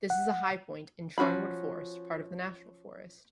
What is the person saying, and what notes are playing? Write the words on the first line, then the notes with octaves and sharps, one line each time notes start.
This is a high point in Charnwood Forest, part of the National Forest.
F#5
F3 C#4 F#4 B5